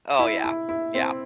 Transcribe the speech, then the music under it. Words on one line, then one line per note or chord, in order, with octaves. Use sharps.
Oh, yeah. Yeah.
E4
E4
E4
C4